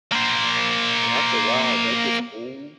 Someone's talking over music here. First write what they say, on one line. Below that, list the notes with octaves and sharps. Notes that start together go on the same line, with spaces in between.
And after a while, that gets old,
A#3 C5